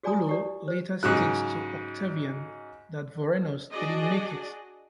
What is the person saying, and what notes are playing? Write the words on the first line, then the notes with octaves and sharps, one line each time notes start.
Pullo later states to Octavian that Vorenus didn't make it.
F#4 G#4 D5 G#5 A#5 D#6
E4 G4 D5
C5
G#2 C#3 F#3 F#6
D4 F#4 G#4 D5 D#5